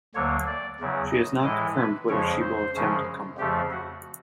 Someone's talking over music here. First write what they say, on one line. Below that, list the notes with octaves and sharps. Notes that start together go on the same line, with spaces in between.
She has not confirmed whether she will attempt a comeback.
D2 D3 F#3 A#3 C#5
D5
E2 C#3 F#3
D#5
A2 E3 G#3 D#5
B4
F2 C#3 F3 G#3 C#5
C5
F#2 C#3 F3 G#3
F2 C#3 F3 A3 G4
F#4